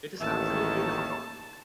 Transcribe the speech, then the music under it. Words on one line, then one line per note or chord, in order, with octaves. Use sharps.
It is absolutely not on.
A1 D#2 D#3 C#5 E5 A5